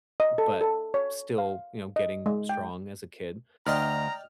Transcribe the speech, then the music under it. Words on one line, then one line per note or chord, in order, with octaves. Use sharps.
but still, you know, getting strong as a kid,
D#5
A4
A4
C#5
F5
D#5
G#3
G5
D2 D5 D#5 G5 A#5 F6